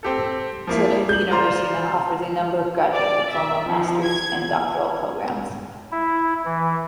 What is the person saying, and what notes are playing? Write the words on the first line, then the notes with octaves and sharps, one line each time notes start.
Today the University now offers a number of graduate diploma, master's, and doctoral programs.
C4 G4 A4
F3 A#3 E4
G6 F#7
F4 C5 D5 A#5 C6
D5
E5
F3
G#6
E4
E3